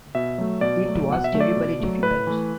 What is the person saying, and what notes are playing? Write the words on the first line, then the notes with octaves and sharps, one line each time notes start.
It was terribly difficult.
B2 E5
F#3 A3
B2 D5
F#3 A3
B2 F#5
E5
F#3 A3
D5
B2
F#3 A3
A2 B4
E3 A3